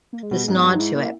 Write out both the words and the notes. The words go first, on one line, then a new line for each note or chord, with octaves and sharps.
this nod to it.
A#3
G#3
B2 G3
G#3
G#2 C#4
B3
G2
G4
D#4
G#2 E4
A#2 E4